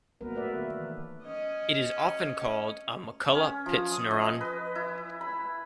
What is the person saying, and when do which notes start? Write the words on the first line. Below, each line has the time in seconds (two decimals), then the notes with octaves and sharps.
It is often called a McCulloch-Pitts neuron.
0.21 F#3 A#3 B3 A#4 B4
0.34 F#3 A3 B4 D5 E5
0.56 D#3
0.76 E3
1.23 C#4 D#5
3.35 C#4
3.66 F3
3.91 D#6
4.11 D#5
4.41 B4
4.75 E4
5.21 B5